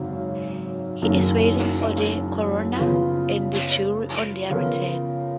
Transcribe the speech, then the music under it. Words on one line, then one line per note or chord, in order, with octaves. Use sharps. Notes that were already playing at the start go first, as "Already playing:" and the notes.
He is waiting for the coroner and jury on their return.
Already playing: G#1 F#2 C#3
F#1 F#2 D#3 A#3
C#3 F3 B3 F4
C#3 F3 B3 F4 A#4